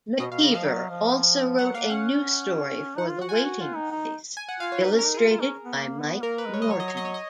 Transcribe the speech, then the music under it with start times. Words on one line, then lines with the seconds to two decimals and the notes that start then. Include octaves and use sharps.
McKeever also wrote a new story for "The Waiting Place" illustrated by Mike Norton.
0.19 B2 D#5
0.31 B2 F5
0.43 C#3 D#5
0.54 F3 F5
0.66 F#3
0.90 F3
1.59 F#3 F#5
1.75 A#3 F5
1.90 C#4 F#5
2.98 D#4 F#5
3.09 F4
3.21 F#4 F#5
3.29 G#5
3.33 F4 F#5
3.44 F#4
3.60 F4
3.76 D#4
3.91 D#4
4.37 G#5
4.49 F#5
4.60 F4 F5
4.72 C#5
4.83 D#4 B4
4.95 C#4 A#4
5.06 D#4
5.14 F4 G#4
5.30 F4
5.41 C#4
5.65 B3
5.77 A#3
6.00 B3
6.22 A#3 A#4
6.38 B4
6.46 G#3
6.54 C#5
6.62 D#5
6.69 F#3 C#5
6.80 D#5
6.88 C#5
6.93 F#3 D#5
7.05 C#5
7.14 D#5